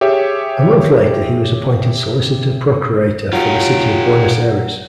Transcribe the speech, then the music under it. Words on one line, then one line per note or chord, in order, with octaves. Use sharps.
A month later he was appointed solicitor-procurator for the City of Buenos Aires.
G4 G#4 C#5 E5
F#3 F4 G4